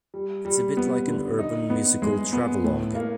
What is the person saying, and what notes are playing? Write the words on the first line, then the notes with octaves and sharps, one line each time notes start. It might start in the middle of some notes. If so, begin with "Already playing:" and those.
It's a bit like an urban musical travelogue.
G3
G3
B3
D3
D#4
B3
G#3
B3
A2
A#3